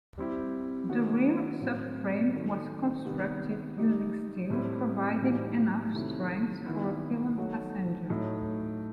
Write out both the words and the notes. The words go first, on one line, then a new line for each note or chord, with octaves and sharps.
The rear subframe was constructed using steel, providing enough strength for a pillion passenger.
G3 C4 E4 G4
D#3 F#3 B3 F#4
A2 F#3 C4
D#3 F#3 A3
C3 D#3 G3 B3
G3 D#4 G4
A2 G3 C4 E4
A2 E3 G3 D#4 F#4
C3 D#3 F#3 A3 E4
D#3 F#3 B3 E4
F#3 A3 D#4 F#4
A2 F#3 A3 D#4